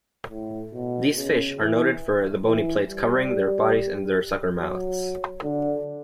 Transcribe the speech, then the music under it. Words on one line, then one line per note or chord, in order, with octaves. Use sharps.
These fish are noted for the bony plates covering their bodies and their suckermouths.
A2
B2
C#3
E3
E3
G3
F#3
D3